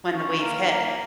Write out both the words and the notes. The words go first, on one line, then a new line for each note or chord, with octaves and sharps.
when the wave hit.
C#4
A#3
A#3